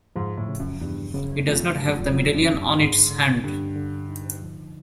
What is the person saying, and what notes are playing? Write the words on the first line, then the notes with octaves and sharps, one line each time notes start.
It does not have the medallion on its hand.
G#2 F3
A2
C#3
F#2
E2 G2
F#2 C#3
F2 A3
G2 F#3
F#2
F2
F#2
F2 F#3
F#2
C#4
G2
G#2 D3
D3
G2 D3
D3
D#4
F3